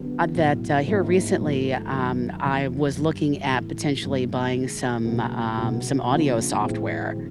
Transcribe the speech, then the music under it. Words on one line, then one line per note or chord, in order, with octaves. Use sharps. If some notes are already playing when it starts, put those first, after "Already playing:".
a that, uh, here recently, um, I was looking at potentially buying some, um, some audio software,
Already playing: D3 F#3 B3 D4 G4
B1 A2 F#3
G#2 F3 A#3 C#4 E4
G#1 G#2 F3 A3
F#2 D#3 F#3
F1 E2 C3
G2 D#3 G3
A2 E3 A3
G2 E3 G3 A#3 D4
C3 D#3 G#3
C#2 B2 F#3 A#3
C#2 B2 F#3
C#3 F3 A#3 D4
A2 E3 G#3 C4 E4
D3 F#3